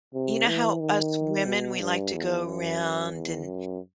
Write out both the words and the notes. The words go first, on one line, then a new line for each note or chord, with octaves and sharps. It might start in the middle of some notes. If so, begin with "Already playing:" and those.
You know how us women, we like to go around and,
C3
E3
D#3
B2
G2
E2
F#2
E2
F#2